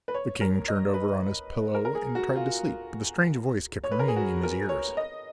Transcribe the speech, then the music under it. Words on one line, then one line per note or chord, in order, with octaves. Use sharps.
The king turned over on his pillow and tried to sleep, but the strange voice kept ringing in his ears.
B4
C#5
A#4
D#5
B4
A#4
A#4
G#4
F#4
F4
C#5
B4
A#4
G#4
F#4
A#4
C#5
D#5